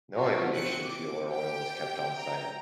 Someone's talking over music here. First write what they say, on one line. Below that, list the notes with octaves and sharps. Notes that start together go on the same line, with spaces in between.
No aviation fuel or oil is kept on site.
D4 F4 F#4
C4 F#6 C#7
D6
G4 G5
G5 A#5